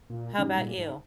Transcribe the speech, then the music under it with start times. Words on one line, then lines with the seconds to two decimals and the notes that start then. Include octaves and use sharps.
How about you?
0.10 A#2
0.38 G#2 D#3 G3
0.57 A#2
0.77 G#2